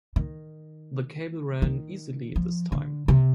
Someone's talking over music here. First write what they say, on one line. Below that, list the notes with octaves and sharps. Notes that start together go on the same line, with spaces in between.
The cable ran easily this time.
D#3
D#3
F3
D3
C3